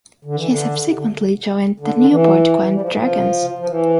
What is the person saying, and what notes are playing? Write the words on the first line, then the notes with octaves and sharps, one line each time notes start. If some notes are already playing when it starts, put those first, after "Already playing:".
He subsequently joined the Newport Gwent Dragons.
D3
E3
D3
C3
D3
D3
D3
E3
G3
F3
E3
F3
F3
E3